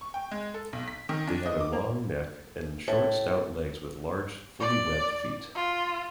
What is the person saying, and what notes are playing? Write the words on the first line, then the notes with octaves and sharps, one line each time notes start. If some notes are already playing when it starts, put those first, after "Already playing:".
They have a long neck and short stout legs with large, fully webbed feet.
C#6
G5
G#3
A4
B1
B6
D#3
D4
D#5
D6
A#3
A2
D5
F4